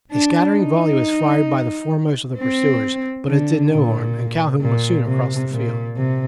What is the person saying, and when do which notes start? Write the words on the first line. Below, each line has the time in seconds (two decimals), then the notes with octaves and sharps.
A scattering volley was fired by the foremost of the pursuers, but it did no harm, and Calhoun was soon across the field.
0.12 D4
0.57 D#4
2.38 C4
3.28 D3
3.72 A#2
4.62 A#2
5.07 C3
5.52 A#2
5.97 C3